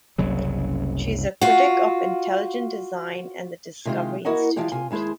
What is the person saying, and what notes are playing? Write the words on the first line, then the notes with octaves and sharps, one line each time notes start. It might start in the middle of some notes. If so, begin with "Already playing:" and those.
She is a critic of intelligent design and the Discovery Institute.
F#1 C2 C#3 F#3
F4 F#4
C3 D#3 G#3 F4 G4
A#3 E4 F#4 A#4 D#5 F#5
E3 F3 G#3 F4 G4 D5
C3 F4 G#5
D#2 G#3 E4 G#4 C5